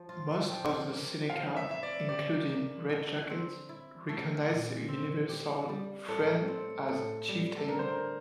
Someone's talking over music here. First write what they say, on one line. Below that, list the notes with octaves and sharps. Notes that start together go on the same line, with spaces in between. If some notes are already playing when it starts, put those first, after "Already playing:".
Most of the Seneca, including Red Jacket, recognized the Universal Friend as Chieftain.
Already playing: F3
F4
F3 G5
A#3
F3 F5
E5
E4 E5
D5
G4 D5
A#3
D3
C4
E4
A3
A#2
C4
G4
G3
A2 A4
C4
A2 A4
G3
A4
D3 A#4
C5
A#4